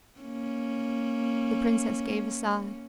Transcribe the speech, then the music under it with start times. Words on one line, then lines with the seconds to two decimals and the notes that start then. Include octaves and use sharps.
The princess gave a sigh.
0.20 A#3 C#4